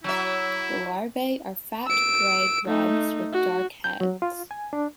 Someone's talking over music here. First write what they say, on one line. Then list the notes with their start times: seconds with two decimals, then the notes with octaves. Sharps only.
The larvae are fat gray grubs with dark heads.
0.04 F#3 E4 E5
1.86 E6 D7
2.68 A3 D#4
3.32 F#4
3.84 G6
4.01 F#3
4.22 F4
4.51 G#5
4.73 D4